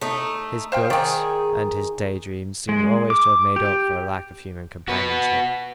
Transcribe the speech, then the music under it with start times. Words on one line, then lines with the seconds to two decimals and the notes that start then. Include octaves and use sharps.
His books and his day dreams seem always to have made up for a lack of human companionship.
0.01 A3 D#4
0.72 C5 F5 G5
0.90 D#3 G#4 D5 G5
2.69 G#3
3.10 D6
3.56 G4
4.88 F#4 B4